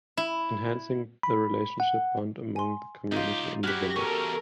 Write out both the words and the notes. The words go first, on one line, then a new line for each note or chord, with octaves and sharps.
Enhancing the relationship bond among the community in the village.
E4
B5
F#5
G#5 C6
C#2 D#4 F4 G4
F#3 E4 F#4 G4 F6 F#6 B6
E2 C#4 A4 A#4 C#6